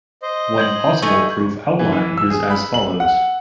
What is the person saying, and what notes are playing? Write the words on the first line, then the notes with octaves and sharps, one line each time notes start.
One possible proof outline is as follows.
C5 D#5
G6 G#6 F#7
A3 D#4 G#5
E3
E3
E6
G#4
B5
F#7
F#5